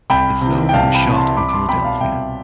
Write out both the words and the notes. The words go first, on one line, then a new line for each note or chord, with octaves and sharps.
The film was shot in Philadelphia.
C2 G5 B5
C3 E3
G5
C2 F5 A5
G5 B5
C3 E3
A5 C6
C2 B5 D6
D6
A5 C6
B2 G5 B5
F5 A5
C2 E5 G5